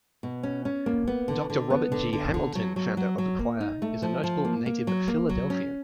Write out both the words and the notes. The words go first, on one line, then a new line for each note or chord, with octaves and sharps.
Doctor Robert G. Hamilton, founder of the choir, is a notable native Philadelphian.
B2
C#4
C#4
A#3
B3
D3
D3
B3
D3
D3
D3
F#3
F#3
F#3
F#3
A#3
D#4
A3
F3
F3
A#3
A#3
F#3
A#3
F#3
C#4